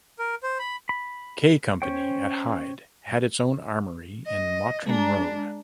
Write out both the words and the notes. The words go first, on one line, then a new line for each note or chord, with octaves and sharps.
K Company at Hyde had its own armoury in Mottram Road.
A#4
C5
B5
B5
C#4 C5 C#5 G5
D#5
G#3 D4 A#5